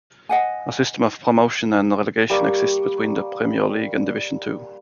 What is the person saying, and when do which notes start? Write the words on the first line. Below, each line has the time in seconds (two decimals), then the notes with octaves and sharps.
A system of promotion and relegation exists between the Premier League and Division Two.
0.29 D#5 F#5 G#5
2.30 G3 A#3 C#6 D6